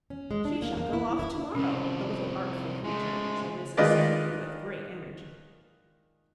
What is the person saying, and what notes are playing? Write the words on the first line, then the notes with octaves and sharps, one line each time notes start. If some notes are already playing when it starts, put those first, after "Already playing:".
"She shall go off to-morrow, the little artful creature," said Mrs. Sedley, with great energy.
C#4
G#3
D4
A#3
A#3
E4
E4
C2 F3 C#4
C#3 G#3 A3
D#3 G#3 F4 B4 D5 D#5